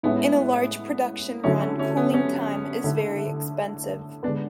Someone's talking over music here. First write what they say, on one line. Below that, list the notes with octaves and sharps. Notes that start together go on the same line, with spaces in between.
In a large production run cooling time is very expensive.
A2 G#3 B3 C#4 E4
D3 F#3 A3 C#4 E4
C#4
C#4
B3
C#4
D3 A3 E4
D3 G#3 B3 D4